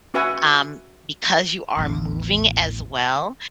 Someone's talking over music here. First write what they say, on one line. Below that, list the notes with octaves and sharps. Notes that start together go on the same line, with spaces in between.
um, because you are moving as well.
C#4 F#4 B4 E5 F#5 G#5
D#1 A1 E2